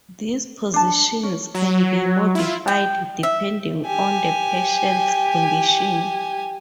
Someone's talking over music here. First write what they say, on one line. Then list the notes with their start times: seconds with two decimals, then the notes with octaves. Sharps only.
These positions can be modified depending on the patient's condition.
0.74 D4 A5
1.23 C#4
1.55 F#3
2.35 E4 F4
2.68 G5
3.23 E5
3.86 G4 G#5